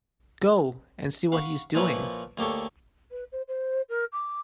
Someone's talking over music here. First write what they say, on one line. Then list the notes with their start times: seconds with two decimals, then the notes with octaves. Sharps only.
Go and see what he is doing.
1.32 F5 F#5 B5 C#6
1.75 A#2 F3 A#3 E4 B4 C#5
2.37 D2 A#3 G4 A4 C#5
3.11 B4
3.32 C5
3.48 C5
3.89 A#4
4.13 D6